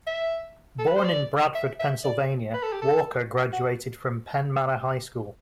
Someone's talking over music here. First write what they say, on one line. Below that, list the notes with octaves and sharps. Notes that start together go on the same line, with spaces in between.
Born in Bradford, Pennsylvania, Walker graduated from Penn Manor High School.
E5
A4
B4
C5
D5
E5
E5
D5
B4
A4
G4
A4
F#4